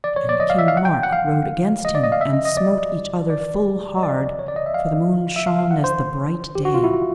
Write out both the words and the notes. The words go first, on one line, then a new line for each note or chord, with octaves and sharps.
And King Mark rode against him, and smote each other full hard, for the moon shone as the bright day.
D5
C#5
D5
D#5
F5
E5
F5
F#5
G5
F#5
F5
D#5
D5
D#5
F5
E5
D#5
D#5
D5
D5
D#5
D5
C#5
D5
D#5
E5
F5
E5
F5
F5
F#5
C5
G4
F#4
F4
E4